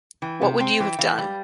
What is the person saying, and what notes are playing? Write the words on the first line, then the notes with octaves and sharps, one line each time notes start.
What would you have done?
E3 G5
C3 G5
C4 G5
E3 G5
E3 F5
G3